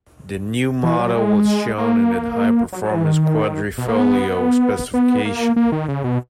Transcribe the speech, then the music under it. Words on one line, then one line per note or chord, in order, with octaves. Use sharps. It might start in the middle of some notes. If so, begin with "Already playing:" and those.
The new model was shown in the high-performance "Quadrifoglio" specification.
E3
F#3
G#3
A#3
F#3
F#3
E3
D#3
B2
A#3
B3
B3
A#3
A#3
D#3
C#3
B2